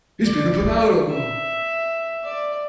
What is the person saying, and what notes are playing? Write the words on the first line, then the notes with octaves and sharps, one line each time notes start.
He's been up an hour or more.
D5
D5
E5
D5